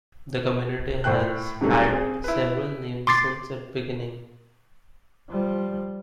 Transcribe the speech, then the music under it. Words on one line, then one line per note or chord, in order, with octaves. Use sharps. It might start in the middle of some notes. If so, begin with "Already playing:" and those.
The community has had several names since its beginning.
A2 C5 G5 F#6
G#2 C3 F#3 G3 A3
C4 G#4
E4 B4
C6 D6 A6 C7
F3 G3